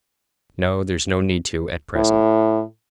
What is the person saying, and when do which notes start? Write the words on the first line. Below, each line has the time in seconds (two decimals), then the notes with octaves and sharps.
"No, there's no need to, at present."
1.96 A2